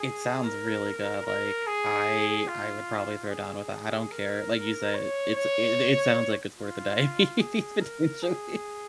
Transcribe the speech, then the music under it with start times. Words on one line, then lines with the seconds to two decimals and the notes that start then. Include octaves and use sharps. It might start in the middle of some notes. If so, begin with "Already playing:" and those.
It sounds really good, like, I I would probably throw down with that, I don't care, like you said, it's it it sounds like it's worth a diabetes, potentially.
Already playing: G#4
0.44 A#4
1.26 A#4
1.67 G#4
2.48 F4
3.30 G#4
4.12 A#4
4.95 C#5
5.36 C#5
6.58 F4
7.40 G#4
7.81 A#4
8.22 G#4